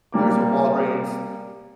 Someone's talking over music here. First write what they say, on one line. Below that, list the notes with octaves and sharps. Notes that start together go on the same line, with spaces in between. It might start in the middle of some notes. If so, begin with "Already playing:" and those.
there's a Walgreens
G3 A#3 D6